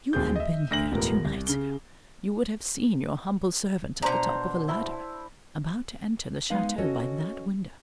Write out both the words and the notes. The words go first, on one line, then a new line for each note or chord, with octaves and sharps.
"If you had been here, two nights ago, you would have seen your humble servant at the top of a ladder, about to enter the chateau by that window."
D1 D#2 C4 G#4 G6
D#5 E5
D2 A#6 F#7
E1 A2 B3 A#4
C2
C#3 G7
B2 D4 C5 A#5
E4
G#3 B3 D#4 F5
C#4 F#4 A4 C#5 D#5